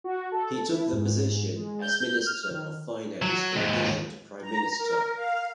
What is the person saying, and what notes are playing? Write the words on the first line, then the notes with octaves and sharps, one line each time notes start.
He took the position as Minister of Finance in addition to prime minister.
F#4
A4
E4
G#2
G#3
G6
F6
D#3
F#3
D#2 G#2
A#5
A#4
F5